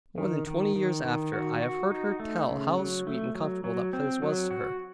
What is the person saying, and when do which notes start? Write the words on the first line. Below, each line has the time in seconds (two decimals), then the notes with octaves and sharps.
More than twenty years after, I have heard her tell how sweet and comfortable that place was to her.
0.18 D#3
0.47 D#3
0.76 D#3
1.05 D#3
1.33 F#4
1.62 F#4
1.91 D#4
2.20 A3
2.49 C#3
2.77 F#3
3.07 A3
3.35 F#3
3.64 F#3
3.93 C4
4.22 F#3
4.50 F#4